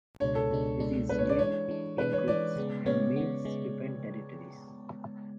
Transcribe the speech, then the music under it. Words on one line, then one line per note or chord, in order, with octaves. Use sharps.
Many species live in groups and males defend territories.
C#2 B2 G#3 D4 C#5
A4
C#2 B2 G#3 D4
C#2 B2 G#3 D4
C#2 B2 G#3 D4 B4
C#5
D5
E3 G#3 D4 C#5
E3 G#3 D4
E3 G#3 D4 B4
C#5
E3 G#3 D4 D5
C#3 G#3 B3
C#3 G#3 B3 C#5
C#3 G#3 B3
C#3 G#3 B3